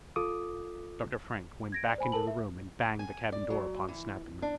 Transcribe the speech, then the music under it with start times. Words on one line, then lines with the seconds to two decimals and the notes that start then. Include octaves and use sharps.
Dr. Frank went back into the room and banged the cabin door upon Snap and me.
0.16 F4 A4 D6 D#6
1.72 G#6 A#6 D7
1.84 D5
1.98 C5 G#5 B5
2.12 A4 A#4 A5 F#7
2.27 E5
2.99 G#5
3.32 D5
3.50 F#3
3.89 E3
4.42 D4